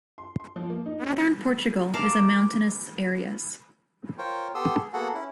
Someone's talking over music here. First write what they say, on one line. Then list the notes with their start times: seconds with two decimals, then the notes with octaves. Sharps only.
Northern Portugal is a mountainous areas.
0.18 C6
0.40 C6
0.56 F3
0.70 A#3
0.86 D#4
1.03 C#4
1.93 A#4 D5 F5 A5
4.18 F4 A#4 C5 C#5 G5
4.55 B3 G4 A4 C6 D#6 E6
4.77 G#4
4.93 A#3 B3 F#4 G#4 A4 F#5
5.14 C#4 E4